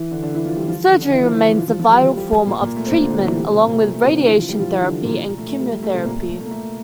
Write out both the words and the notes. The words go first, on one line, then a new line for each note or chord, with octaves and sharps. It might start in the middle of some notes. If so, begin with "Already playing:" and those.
Surgery remains the vital form of treatment along with radiation therapy and chemotherapy.
Already playing: E3 E4
D3 D4
D3 D4
E3 E4
F3 F4
G3 G4
F3 F4
D3 D4
D3 D4
E3 E4
F3 F4
E3 E4
E3 E4
F3 F4
F3 F4
F3 F4
G3 G4
F3 F4
G3 G4
A#2 A#3
A#2 A#3
A3
C4
A#2 A#3
D3 D4
D3 D4
E3 E4
G3 G4
C3 C4
A#2 A#3
A3
A3
C3 C4
D3 D4
E3 E4
F3 F4
G3 G4
F3 F4
E3 E4
D3 D4
A#2 A#3
A#2 A#3
A3
A3
G3
G3
A3
C3 C4
A#2 A#3
A3
A3
A3
A#3
A3